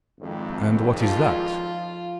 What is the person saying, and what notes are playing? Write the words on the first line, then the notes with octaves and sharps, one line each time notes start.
"And what is that?"
G#1 F2
F3 F4